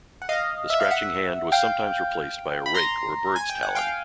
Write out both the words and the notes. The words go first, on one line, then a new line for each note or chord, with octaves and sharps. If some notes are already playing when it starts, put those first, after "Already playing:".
The scratching hand was sometimes replaced by a rake or a bird's talon.
F#5
D#5 F5
E5
F5
E5 F#5
F5 G5
B5
A#5 C6
G#5
G5
F#5
F5 G5